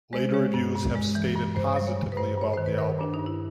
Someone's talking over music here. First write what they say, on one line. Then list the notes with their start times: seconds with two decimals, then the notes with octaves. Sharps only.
Later reviews have stated positively about the album.
0.13 G#3 C5
0.34 G#3 C#5
0.54 G2
0.75 G2
0.95 G#3
1.15 E3
1.36 G2
1.55 G2 C5
1.76 G3
1.87 C#5
1.96 G2
2.12 B4
2.17 G2 C5
2.37 G2 C#5
2.54 D#3 C5
2.66 B4
2.78 D#3 A#4
2.98 G2 D4
3.14 D#4
3.19 G2
3.26 E4